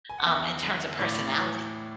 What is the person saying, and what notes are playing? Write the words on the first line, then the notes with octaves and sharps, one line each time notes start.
um, in terms of personality.
G#5
F#5
E2 E5
D3
A2 D5
E3